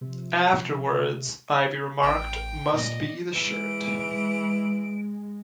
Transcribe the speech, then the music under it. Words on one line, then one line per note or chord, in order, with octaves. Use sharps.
Afterwards, Ivey remarked, Must be the shirt.
C3 F3
A1 G5
A#2 D5 D#5
E3 G#3 D7